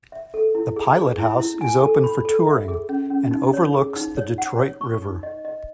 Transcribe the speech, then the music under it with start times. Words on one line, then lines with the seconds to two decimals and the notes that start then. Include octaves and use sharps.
The pilot house is open for touring and overlooks the Detroit River.
0.12 E5
0.34 A4
0.55 E4
0.76 G#4
0.97 G#4
1.18 E4
1.40 E4
1.61 G#5
1.82 A4
2.04 B5
2.25 A4
2.47 E5
2.68 G#4
2.89 C#4
3.10 C#4
3.31 D#4
3.53 C#5
3.74 G#4
3.96 D#4
4.17 C#5
4.38 F#5
4.59 C#5
4.81 C#6
5.02 D#4
5.23 D#5
5.45 D#5